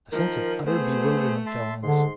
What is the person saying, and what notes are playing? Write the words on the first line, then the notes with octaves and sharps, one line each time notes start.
A sense of utter bewilderment fell on us.
D#3 F3 A#4
A3 B3 G#4 C5
E5 A5 C6
G#2 D3 C6